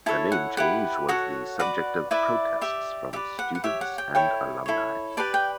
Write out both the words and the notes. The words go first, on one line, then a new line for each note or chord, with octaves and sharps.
The name change was the subject of protests from students and alumni.
E4 A4 C#5 A5
F#5
E4 G4 B4 F#5
F#4 A4 C#5 F#5
F#4 B4 D5 F#5
E4 B4 D5 E5
G4 D5 E5
G4 B4 D5 E5
F#5
F#5
G4 C#5 E5
F#5
G5
E4 A4 C#5 G5
E4 A4 C#5
G4 B4 D5 A5
G5